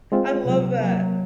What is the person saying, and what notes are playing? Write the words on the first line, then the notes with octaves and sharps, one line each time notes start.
I love that.
G#3 C4 F4
C3 F#3
F#3 A#3